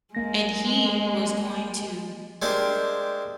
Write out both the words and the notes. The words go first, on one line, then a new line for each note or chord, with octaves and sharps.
and he was going to
G#1 G#3 A#3 A#6
G#3 A#3 C4 D4 G4